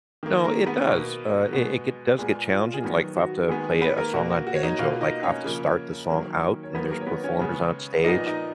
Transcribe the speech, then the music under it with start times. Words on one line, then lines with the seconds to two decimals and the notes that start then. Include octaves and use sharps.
No, it does, uh, it it get does get challenging, like, if I have to play a song on banjo, like, I have to start the song out and there's performers on stage,
0.23 D#3 A#3
0.44 A#3 A#4
0.66 B3 B4
0.88 B2 A#3
1.53 B2 G#3 B3
2.18 A#2 G#3 B3 G#4
2.52 F4
2.74 G#4
2.83 D#3 F#3 B3 F#4
3.16 F#4
3.48 D#3 G#3 B3 G#4
3.81 B3 B4
3.97 A#3 A#4
4.13 B2 A#3 F#4
4.30 F#4
4.47 F#4
4.55 C#5
4.63 D#4 D#5
4.78 B2 A#3 F4 F5
5.01 D#4 D#5
5.23 C#4 C#5
5.44 C#3 F3 A#3
6.09 D#3 F#3 A#3
6.63 C#5
6.74 D#3 F#3 A#3 B3 B4
6.91 A#3 A#4
7.01 C#5
7.07 B3 B4
7.24 C#4 C#5
7.39 C#3 G#3 B3
8.04 A#2 F3 B3 D#4 D#5
8.27 D#4 D#5